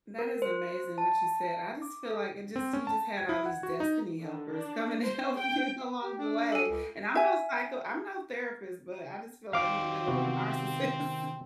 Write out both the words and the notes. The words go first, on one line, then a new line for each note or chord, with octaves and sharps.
That is amazing what you said, I just feel like it just you just had all these destiny helpers coming to help you along the way and I'm no psycho I'm no therapist, but I just feel like you were dealing with a narcissist,
A#4
C5
A5
D6
A4
C4
C#4
A5
G#6
E4
F#5
F#4
D#4
D3
D4
C5
G5
G4
D4
A4 G#5
C#2
E5 G#5
D#3 C4 D5 F5 D6
C3 B3 F#4